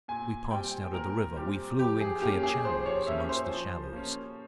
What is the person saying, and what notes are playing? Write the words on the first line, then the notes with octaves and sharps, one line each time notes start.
We passed out of the river; we flew in clear channels amongst the shallows.
A#2 G#5
G3 C4 G5
A#2 A#4
G3 C4 G4
F3 G4
G#4
A#3 C#4 G4
G#4
F3 C5
C#5
A#3 C#4 E5
C5
F3
A#3 C#4